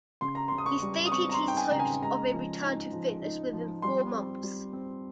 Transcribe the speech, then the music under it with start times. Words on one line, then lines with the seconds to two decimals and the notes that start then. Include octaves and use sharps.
He stated his hopes of a return to fitness within four months.
0.21 C#3 C6
0.35 A#5
0.48 C#3 C6
0.58 D#6
0.66 C#6
0.82 G3
1.06 D#6
1.12 C4 C#6
1.29 A#5
1.34 C6
1.42 D#4
1.48 G5
1.57 G#5
1.70 C#3 A#5
1.80 G#5
2.02 G#3 A#5
2.33 F3
2.63 D#4
2.93 F3
3.22 D#4
3.53 F3
3.82 G3 C6
4.13 C4
4.43 G3
4.73 C4